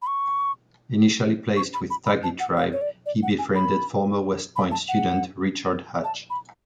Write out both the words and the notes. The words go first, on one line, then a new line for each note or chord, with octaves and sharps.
Initially placed with Tagi tribe, he befriended former West Point student Richard Hatch.
B5
C#6
C#6
B5
B5
B5
A5
F#5
F5
C#5
D5
D5
F#5
G#5
B5
B5
A5
F#5
A5
B5